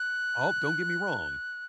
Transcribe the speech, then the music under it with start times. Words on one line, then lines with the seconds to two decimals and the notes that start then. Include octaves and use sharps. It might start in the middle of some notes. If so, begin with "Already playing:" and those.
Oh, don't get me wrong,
Already playing: F#6